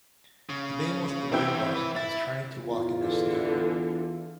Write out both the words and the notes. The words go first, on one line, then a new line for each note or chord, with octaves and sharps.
The man with the red vest is trying to walk in the snow.
C#3
C3 E3 C4 E4 G5
E3 B4
E4 A6
E2 F4
D3 E3